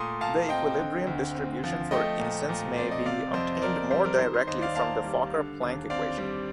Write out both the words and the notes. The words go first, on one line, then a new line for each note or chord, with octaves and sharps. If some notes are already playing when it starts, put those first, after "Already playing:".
The equilibrium distribution for instance may be obtained more directly from the Fokker-Planck equation.
Already playing: A#2 A3 C6 D#6
A#2 F5 A5
C4 D#5 G5
D3
D2
C4
F3
A3 D#5 G5
A#2
A#2
C4 D5
D#5
C3 D5 F5
F2 C5 D#5
D#5
C4 A#4 D5
C5
G3 C5
A#4 D5
D#3 C5
C5
D#2 C5 D#5
D5 F5
A#3 F5 A5
G3
D3
D#2
C4 D5 F5
G3